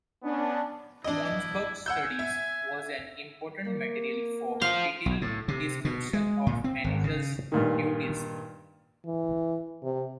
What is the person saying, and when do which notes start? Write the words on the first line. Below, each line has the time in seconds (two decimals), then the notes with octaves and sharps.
Monzberg studies was an important material for detailed description of manager’s duties.
0.24 B3 C#4 D4
1.04 D4 E4 D#5
1.86 F#5 G#5 E6 G6
2.19 E5
3.66 A#3
4.62 F4 C5 F5
5.06 B1
5.22 A2
5.48 C3
5.85 B2
6.13 G#3
6.47 A#2
6.64 C4
6.84 G#1
7.04 C#3
7.52 G2 A#2 D#3
9.05 E3
9.83 C3